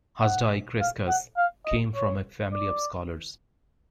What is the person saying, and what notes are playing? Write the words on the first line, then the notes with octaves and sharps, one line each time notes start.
Hasdai Crescas came from a family of scholars.
F#5
F5
F#5
F5
D#5
C#5
D5